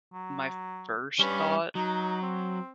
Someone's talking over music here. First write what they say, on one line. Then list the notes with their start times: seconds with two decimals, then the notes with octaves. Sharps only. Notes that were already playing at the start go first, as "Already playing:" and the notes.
my first thought
0.13 F#3
1.19 G3 C#4 B4
1.75 F#3 D#4
2.22 C4